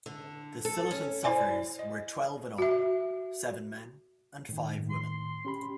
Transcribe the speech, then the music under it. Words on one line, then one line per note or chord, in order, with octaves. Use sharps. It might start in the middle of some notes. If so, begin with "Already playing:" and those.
The Scillitan sufferers were twelve in all-seven men and five women.
D3
A4
C#4
E4 C5 D5 G#5
D#5
F#4 E5
A2 D#3
C6
C#4 G4 B5